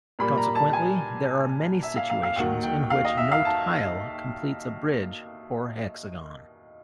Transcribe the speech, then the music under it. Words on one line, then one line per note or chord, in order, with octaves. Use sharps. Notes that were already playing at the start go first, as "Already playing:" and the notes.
Consequently, there are many situations in which no tile completes a bridge or hexagon.
A#2 G3 A#3 B5
A#5
A5
G#5
E5
F5
F5
F5
D#2 D#3 F#3 F#5
G5
F5
D#5
E5
F5
A5